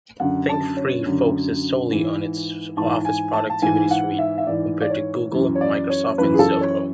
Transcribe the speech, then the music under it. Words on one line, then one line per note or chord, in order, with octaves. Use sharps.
ThinkFree focuses solely on its office productivity suite compared to Google, Microsoft, and Zoho.
F#2 D3 F#5
A5
C#5
F#2 D3
G#2 E3
G#2 E3 A5
G#5
A5
A5
G#2 E3 G#5
F#5
E5
E5
G#2 E3 D5
D5
C#5
F#2 E3
C#5
D5
C#5
F#2 E3 B4
G#4
A4
C#5